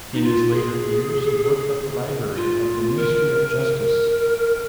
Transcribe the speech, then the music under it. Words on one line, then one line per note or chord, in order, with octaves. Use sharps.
In his later years, he worked at the library of the Ministry of Justice.
D#4
F4
G#4
F4
A#4
A#4